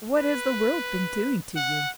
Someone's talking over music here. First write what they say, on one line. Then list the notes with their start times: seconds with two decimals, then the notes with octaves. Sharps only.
'What has the world been doing to you?'
0.17 B4
1.56 F#5